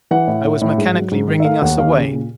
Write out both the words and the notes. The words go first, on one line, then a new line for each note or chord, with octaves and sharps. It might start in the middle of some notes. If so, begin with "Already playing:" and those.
I was mechanically ringing us away.
E3 F#5
A2
A2
A2
G#2
F#3
G#2
D#3
E5
A3 F5
D#2 F#5
D#2 F5
C#3
A#2